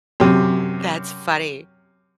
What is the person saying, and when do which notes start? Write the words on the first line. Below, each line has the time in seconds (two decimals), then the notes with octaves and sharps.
That's funny.
0.20 F#2 C3